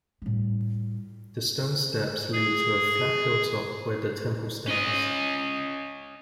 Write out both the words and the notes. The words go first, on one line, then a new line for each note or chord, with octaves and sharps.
The stone steps lead to a flat hilltop where the temple stands.
A2 G3
G#4
C#4 D#5